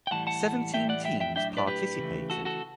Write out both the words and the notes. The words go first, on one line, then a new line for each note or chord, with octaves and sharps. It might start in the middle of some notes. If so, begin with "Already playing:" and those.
Seventeen teams participated.
G5
A2 E3 G3 F#5 A5
F#5 A5
A2 E3 G3 C#4 E5 G5
D5 F#5
E5 G5
E5 G5
A2 F#3 B3 D4 E5 G5
B4 D5
G4 B4
C#3 E3 A3
F#4 A4
F#4 A4